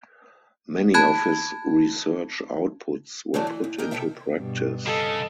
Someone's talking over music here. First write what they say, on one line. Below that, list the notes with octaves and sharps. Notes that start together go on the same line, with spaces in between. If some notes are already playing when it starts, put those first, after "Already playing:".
Many of his research outputs were put into practice.
A5 B5 F#6 G#6
E3 F#3 G3 A3 D4 F#4
E3
D#2
A#2 D#3 A#4 G5
C3 D#3 A4 E5 G5
G2 B2
C#3 A4 D#5